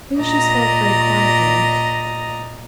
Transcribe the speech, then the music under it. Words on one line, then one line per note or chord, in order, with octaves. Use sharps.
Then she spoke very quietly.
A#2 D5 D#5 A#5